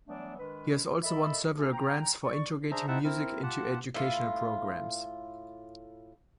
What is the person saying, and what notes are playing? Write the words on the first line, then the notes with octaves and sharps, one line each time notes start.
He has also won several grants for integrating music into education programs.
E3 F#3 G3 A3 B3 D4
D#3 G#3 D4 B4
A4 A#4 D#5 E5 B5
A3 C#4 D4 F#4 A4
G5 A#5
D5 C#6
D4 G#4 C5 E5 A#5
C4 D#4 E4 E5 F#5 A5
C4 E4 A#4
F4 G4 F#5 A5
A2 F4